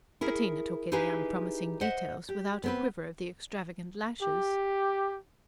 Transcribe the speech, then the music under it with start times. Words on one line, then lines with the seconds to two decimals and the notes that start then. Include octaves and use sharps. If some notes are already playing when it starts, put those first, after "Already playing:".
Bettina took in the unpromising details without a quiver of the extravagant lashes.
0.21 E4 G#4 A#4
0.92 D#4 E4 G4 G#4 B4 F5
1.81 C5 D#5 E5 F#5
2.29 G4
2.64 B3 C4 B4
4.22 G4